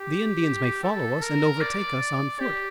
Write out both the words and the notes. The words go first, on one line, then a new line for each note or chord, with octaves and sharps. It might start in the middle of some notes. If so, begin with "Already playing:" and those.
"The Indians may follow us and overtake us on foot."
Already playing: G4
A4
A#4
D5
G4